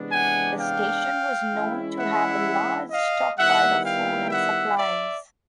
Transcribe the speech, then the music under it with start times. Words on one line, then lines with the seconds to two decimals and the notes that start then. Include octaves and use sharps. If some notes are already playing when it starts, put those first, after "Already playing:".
The station was known to have a large stockpile of food and supplies.
Already playing: C3 E3 G#3 B3 D4
0.12 F#5 G#5
0.59 F5 G5
1.52 E3 G#3 C#4 E4
1.98 E5 F#5
2.91 D#5 F5
3.37 D#3 G3 B3 E4 E5 F#5
3.84 F5 G5
4.30 E5 F#5
4.77 D5 E5